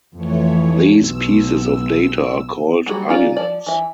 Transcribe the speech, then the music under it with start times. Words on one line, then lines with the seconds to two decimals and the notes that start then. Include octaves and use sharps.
These pieces of data are called arguments.
0.16 F2 E3 A3 C#5
1.00 B1 E6
2.86 F#3 G3 A#3 F#4 G#4
3.09 C#4 D#4 F4 D5
3.37 F3 D5
3.66 E3 E5